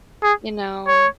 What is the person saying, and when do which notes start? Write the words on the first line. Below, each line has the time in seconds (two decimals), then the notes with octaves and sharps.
you know
0.23 G#4
0.88 C#5